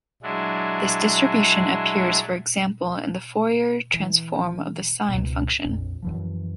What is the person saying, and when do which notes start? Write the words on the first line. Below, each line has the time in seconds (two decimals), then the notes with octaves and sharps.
This distribution appears, for example, in the Fourier Transform of the Sign function.
0.23 F#3 G#3 D4 E4
3.94 E3
5.09 C#2 G#2 B2
5.65 A#1 F2
6.02 F#2 E3 F3